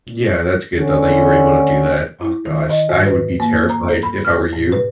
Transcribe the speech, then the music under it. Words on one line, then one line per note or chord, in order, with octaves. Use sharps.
Yeah, that's good though that you were able to do that. Oh gosh. I would be terrified if I were you.
D3 C#4
E4
D#3
D#5
G#2
B4
A#3
A#5
A4
B5
F6
A2
B4